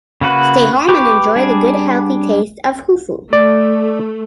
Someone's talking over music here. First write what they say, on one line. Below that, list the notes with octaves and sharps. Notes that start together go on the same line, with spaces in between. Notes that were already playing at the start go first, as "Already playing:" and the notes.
Stay home and enjoy the good healthy taste of hufu.
C#3 A#3 F#4 B4
G4 B4 C#6 D6
G3 D4 G#4
A3 D5